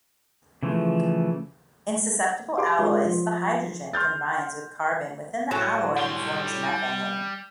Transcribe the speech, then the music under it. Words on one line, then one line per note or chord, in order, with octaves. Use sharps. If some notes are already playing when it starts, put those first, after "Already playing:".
In susceptible alloys, the hydrogen combines with carbon within the alloy and forms methane.
C#3 E3 F3 A3
G4 F5 B5 C6 D6
G#3 F4 G4 A#4 C#5
F3
C6 F6 G6 A6
A2 F#3
G3 C6